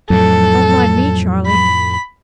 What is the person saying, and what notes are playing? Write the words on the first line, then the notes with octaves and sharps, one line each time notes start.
Don't mind me, Charley!
F2 A2 F#3 A4
B5